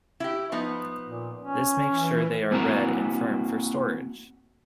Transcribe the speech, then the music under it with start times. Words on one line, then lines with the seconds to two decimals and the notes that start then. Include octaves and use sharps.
This makes sure they are red and firm for storage.
0.20 E4 G4
0.52 F3 B3 D#4
1.07 A#2
1.40 C#4
1.89 E3
2.51 A#3 C4 E4 F#4 A#4 A#5